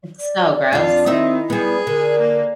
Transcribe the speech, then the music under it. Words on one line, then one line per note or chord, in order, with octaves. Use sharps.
It's so gross,
D5
F2 D4 F4
D#3 C4 D#4 E4 E5
G3 B3 G#4
D3 A#4
A#3